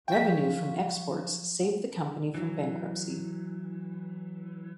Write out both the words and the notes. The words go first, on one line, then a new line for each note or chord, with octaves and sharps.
Revenue from exports saved the company from bankruptcy.
F3 F#3 C#4 F4 G5 B6
E3 F#3